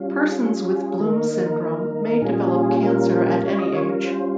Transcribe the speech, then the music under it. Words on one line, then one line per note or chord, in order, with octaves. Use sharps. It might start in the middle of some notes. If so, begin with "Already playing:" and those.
Persons with Bloom syndrome may develop cancer at any age.
Already playing: G3 C#4 F4
G#4
G#4
D#3 A#3 D#4 A#4
A#2 G3 C#4 F4 G#4
A#4
G3 C#4 F4 C#5
D#5
C#5
A#4
C5